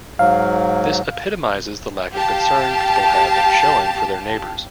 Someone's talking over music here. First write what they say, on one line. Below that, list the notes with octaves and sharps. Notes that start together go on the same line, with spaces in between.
This epitomizes the lack of concern people have been showing for their neighbours.
G#2 F#3 F5
G4 F5 A5